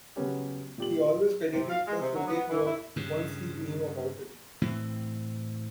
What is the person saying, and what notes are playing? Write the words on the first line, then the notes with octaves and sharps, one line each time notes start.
He always credited the Soviet work once he knew about it.
C#3 F#3 B3 C#4 G4
A#2 G4 F#7
C3
F5
G#3
C3
F#3
B3
E3
E4
G2 C#3
A2 E3 C4